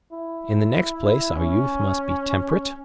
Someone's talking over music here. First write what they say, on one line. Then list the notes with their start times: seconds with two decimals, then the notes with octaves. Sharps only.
In the next place our youth must be temperate?
0.12 E4
1.37 C#4